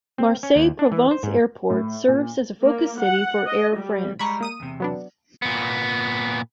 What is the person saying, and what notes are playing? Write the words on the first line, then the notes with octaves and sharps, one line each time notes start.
Marseille Provence Airport serves as a focus city for Air France.
C4
C#4
D#2
D4
E3
C5
G#2
A2
A#2
A#3
F#5
D#5
G3
G3 G#3 A#5 B5 C#6
A#3 D#6 D#7
E2 C3
F#3 B3 D4
A#2 B3